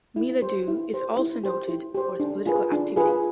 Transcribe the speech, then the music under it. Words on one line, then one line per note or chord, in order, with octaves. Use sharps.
Miladhoo is also noted for its political activities.
E4
G4 C5
E4
G4 C5
E4
G4 C5
E4
G4 C5
D4
F4 G#4 B4
D4
F4 G#4 B4